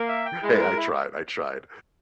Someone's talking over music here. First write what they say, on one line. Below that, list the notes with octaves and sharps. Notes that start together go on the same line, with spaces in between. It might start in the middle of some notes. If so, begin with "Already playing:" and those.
Hey, I tried, I tried.
Already playing: A#3
E5
G5
G#3 E4
A#4
E4